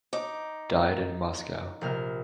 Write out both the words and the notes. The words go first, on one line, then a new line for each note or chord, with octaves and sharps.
Died in Moscow.
D#4 D6
A#1 C3 F6